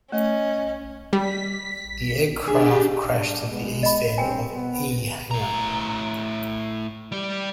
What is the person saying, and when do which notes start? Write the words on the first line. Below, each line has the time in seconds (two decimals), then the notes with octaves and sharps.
The aircraft crashed at the east end of E Hangar.
0.12 A3 C#4 D#5
1.13 G3 B6
2.48 D4 G4 G#4
3.08 G2 F#3 D4
3.49 G#3 B3
3.83 D#5 B5
4.18 G2 G3 C4 B4 G5 G#5
4.53 B2 B3
5.31 A2 A#5
7.12 G3 G4